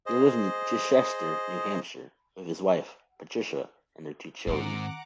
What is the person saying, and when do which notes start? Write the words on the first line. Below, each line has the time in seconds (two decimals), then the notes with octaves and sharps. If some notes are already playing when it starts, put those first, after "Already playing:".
He lives in Chichester, New Hampshire with his wife, Patricia, and their two children.
0.06 G#4 C5 D#5
4.47 G#2 D#3 C4 F#5 A#5 D6